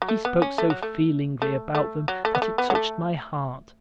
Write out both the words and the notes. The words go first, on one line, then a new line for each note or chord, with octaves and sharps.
He spoke so feelingly about them that it touched my heart.
F#3
A3
B3
C#4
A3
F#3
A3
A3
A3
F#3
A3
B3
A3
B3
F#3
A3